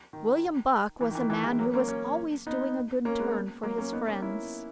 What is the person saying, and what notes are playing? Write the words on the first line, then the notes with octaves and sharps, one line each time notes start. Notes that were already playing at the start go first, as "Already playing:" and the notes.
William Buck was a man who was always doing a good turn for his friends.
D#3
E3
D#3
E3
E3
E3 G#3
F#3 A#3
A#3 C#4
A#3 C#4
B3 D#4
A#3 C#4
G#3 B3
F#3 A#3
A#3 C#4
B3 D#4
A#3 C#4
C#4 E4